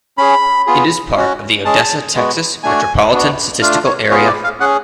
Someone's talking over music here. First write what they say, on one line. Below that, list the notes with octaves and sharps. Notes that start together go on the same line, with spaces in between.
It is part of the Odessa, Texas, Metropolitan Statistical Area.
C#4 G#4 B5
B3 F4 G#4
C#4 F#4
G#3 C#4 G#4 A5
G#3 B3 F#4
A3 D4 F#4 G#5
B3 D4 F#4
A3 D4 F4 F5
C#5
B3 F4 G#4 C#5
D5
F5
C#4 G#4 F#5